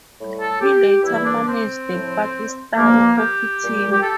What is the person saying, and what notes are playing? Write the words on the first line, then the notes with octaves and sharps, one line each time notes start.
He later managed the Pakistani Hockey Team.
A2 G3
A4
G4
E2 E3 G3 E4
D4
C4
A2 F3
G2 F3 A#3
G4
A#2 G3
G4
A4